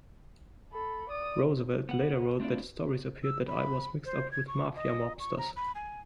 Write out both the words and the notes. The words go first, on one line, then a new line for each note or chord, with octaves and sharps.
Roosevelt later wrote that Stories appeared that I was mixed up with Mafia mobsters.
A4 B5
D5 D#6
B3 F#5
A3 C4 D4 E4 F4 D5
E6
B5
C5
G#6
C#6
D#5
C#6
A#5
B5
G#5